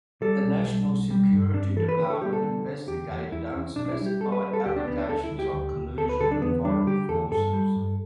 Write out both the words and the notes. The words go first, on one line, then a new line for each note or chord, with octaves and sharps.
The national security department investigated unspecified allegations of collusion with foreign forces.
G3 A4
B1
G3
B1
G3
G2
G2 D4
E3 A4
B4
D3 B4
A4
G3 G4
A4
D3
D3
E2 G4
E2
E2 E4
E2
B1 D4
D4
E4
G3
G4
G3 A4
B4
G3 B4
A4
D2 G4
D4
D2 B3
D4
D2 A4
E4
D2
G4
D2
D2
D2 A4
B4
D3 A4
D4
E2 B3
G3 D4
D3 G4
E2 A4
G2 A4
G3
G2